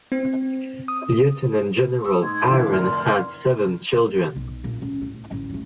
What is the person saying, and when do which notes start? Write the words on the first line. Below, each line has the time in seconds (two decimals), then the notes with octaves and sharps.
Lieutenant General Aaron had seven children.
0.12 C4
0.88 D#6
2.04 C#6 D#6 E6
2.23 G#2 C6 G#6
2.49 D3 E3 E4 F5
2.70 F1 A#4 D5 C6 F6
4.36 B1
4.64 A#2 D3
4.82 C#2
5.01 D2 A2
5.31 A1 D3
5.50 F#3 A3